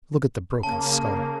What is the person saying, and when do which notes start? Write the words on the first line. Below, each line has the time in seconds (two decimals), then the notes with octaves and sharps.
'Look at the broken scull.
0.63 C#3 A#3 A5